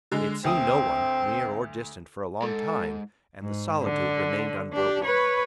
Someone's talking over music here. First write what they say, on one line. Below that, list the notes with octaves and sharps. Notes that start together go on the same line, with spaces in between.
They had seen no one, near or distant, for a long time; and the solitude remained unbroken.
D3 G#3
D2 C4 D#6
G#2 A4
G#2
D3
D4 G4
B4 C#5